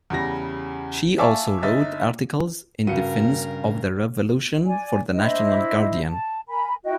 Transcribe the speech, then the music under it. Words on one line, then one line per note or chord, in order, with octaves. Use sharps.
She also wrote articles in defense of the Revolution for the National Guardian.
E2 C#3 G3 A#6
E5 F5 G#5 A5 C#6 D6
G1 D#4 E5 A6
G2 C#3 F#4 A#4 C#7 D#7
D5 G#5
D4 E4 C5 D#5
A5
A#4 G#5 B5
E4 F#4 D#5 G5